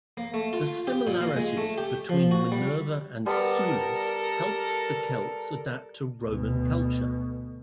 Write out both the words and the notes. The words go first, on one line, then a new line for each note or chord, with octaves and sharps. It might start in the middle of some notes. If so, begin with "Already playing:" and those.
The similarities between Minerva and Sulis helped the Celts adapt to Roman culture.
A#3
A3
F4
G4
A#2
A#3
G#3
A3
G4
F3
F#4
G3
G3 B3 A4 A#4 A5
D2 B2